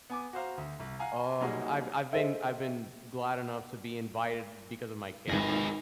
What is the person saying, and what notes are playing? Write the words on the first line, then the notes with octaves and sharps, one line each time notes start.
uh, I've I've been I've been glad enough to be invited because of my camera,
B3 G#5 D6
F#4 C5 F5 A#5
D2
C2
F5 F#5 G#5 A#5
F#3 G3 A#3 D#4 F#4 G#4
G#4 A4 C5 D#5 E5
G#1 G#4 B4 A#6